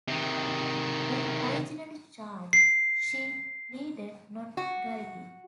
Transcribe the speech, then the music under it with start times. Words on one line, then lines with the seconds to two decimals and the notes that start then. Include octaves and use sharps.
When originally charged, she pleaded not guilty.
0.08 C3 D#3
2.53 C7
4.57 F#4